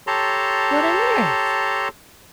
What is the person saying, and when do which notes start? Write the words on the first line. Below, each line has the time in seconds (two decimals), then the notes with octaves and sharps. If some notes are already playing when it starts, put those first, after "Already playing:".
"What on earth?"
0.07 G4 A4 C#5 A5 A#5 C6